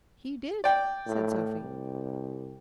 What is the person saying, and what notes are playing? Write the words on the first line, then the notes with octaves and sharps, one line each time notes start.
"He did," said Sophy.
D5 G5
A2
C2